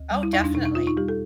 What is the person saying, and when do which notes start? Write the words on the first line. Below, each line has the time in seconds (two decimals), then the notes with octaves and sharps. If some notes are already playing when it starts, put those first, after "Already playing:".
Oh, definitely.
Already playing: D2
0.11 G3
0.23 E4
0.33 E2 D#4
0.44 D4
0.54 B2 D#4
0.65 D#4
0.75 E2 F4
0.87 D#4
0.97 G3 G4
1.08 A4